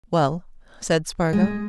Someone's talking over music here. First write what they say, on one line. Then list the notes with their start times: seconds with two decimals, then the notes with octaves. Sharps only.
"Well?" said Spargo.
1.33 G#3